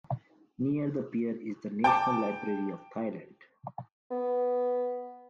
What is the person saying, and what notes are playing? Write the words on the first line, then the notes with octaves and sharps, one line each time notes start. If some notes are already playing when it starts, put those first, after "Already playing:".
Near the pier is the National Library of Thailand.
G5 A5 D6
B3